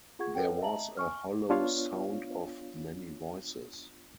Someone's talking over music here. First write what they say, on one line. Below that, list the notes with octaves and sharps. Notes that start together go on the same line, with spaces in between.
There was a hollow sound of many voices.
F4 G#4 F#5 C#6 G#6
A4 B4 C#5 F#5 G5
D#5 E5 A5 A#5 F#7
G#5 C#6 F6
B3 D4 F4 C#5 F5